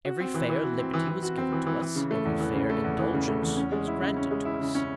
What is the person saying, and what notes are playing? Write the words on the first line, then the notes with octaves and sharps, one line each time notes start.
Every fair liberty was given to us; every fair indulgence was granted to us.
F#4
C4
E3
E3
F#4
C4
E3
E3
F#4
C4
E3
E3
E3
C#3
A3
E2
E3
C#3
A3
E2
E3
C#3
A3
E2
C#4
G#3
E4
C#3
C#4
G#3
E4
C#3
C#4